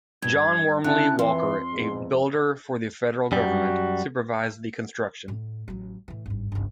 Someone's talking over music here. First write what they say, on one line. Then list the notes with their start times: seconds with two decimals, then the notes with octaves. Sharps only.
John Wormley Walker, a builder for the Federal Government, supervised the construction.
0.22 G2 G#6
0.84 C#3 E4 G5 A5 F#6
1.19 F2 E3 C6
1.72 E2 G#2
3.32 F#2 G3 F#4
5.28 A2
5.68 A1 F#3
6.08 A2 E3
6.26 G#1 G2
6.52 G1 C#2